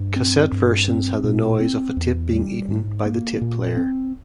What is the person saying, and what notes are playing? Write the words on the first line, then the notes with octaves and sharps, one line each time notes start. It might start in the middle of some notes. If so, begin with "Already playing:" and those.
Cassette versions had the noise of a tape being "eaten" by the tape player.
Already playing: G2
C4
G2
C4
A#2
C4
E2
G3
G#2
A#3
A#2
C4